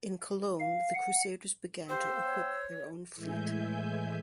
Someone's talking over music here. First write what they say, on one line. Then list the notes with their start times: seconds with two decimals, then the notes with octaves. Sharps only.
In Cologne the crusaders began to equip their own fleet.
0.60 F5
0.95 F#5
1.89 B3 G4 C5 F5 G5 E6
2.24 C#5
3.15 A2 E3 G#3 E5 G#5 G6